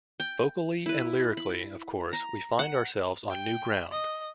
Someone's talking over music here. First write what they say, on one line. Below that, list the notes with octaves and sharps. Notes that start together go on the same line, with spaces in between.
Vocally and lyrically, of course, we find ourselves on new ground.
G5
E4 B4
B5
A#5
F#5
G5
D#5